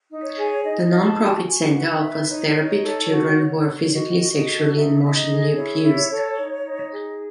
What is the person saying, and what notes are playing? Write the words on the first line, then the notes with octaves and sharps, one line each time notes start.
The non-profit center offers therapy to children who are physically, sexually and emotionally abused.
D#4
C#5
G#4
D#4 D#5
D#4
A5
F#4
F#4 G#5
E5
B4 F#5
B4 E5
D#4 C#5
D#4
A4
F#4
C#5
C#5
F#4 D#5
F#4
D#5
A4
D#4 E5
D#4 E5
D#5
G#4
E4 C#5
E4
A4
D#4
D#4
G#4